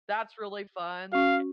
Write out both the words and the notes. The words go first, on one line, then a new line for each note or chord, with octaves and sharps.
that's really fun, eh
C#4 F#4 F5